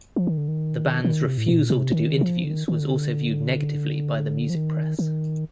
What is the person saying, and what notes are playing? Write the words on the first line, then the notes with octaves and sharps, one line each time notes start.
The band's refusal to do interviews was also viewed negatively by the music press.
F3
D#3
D3
D#3
D#3
C3
A2
A#2
C3
D#3
F3
D3
D#3
D#3
D3
F3
D#3
D#3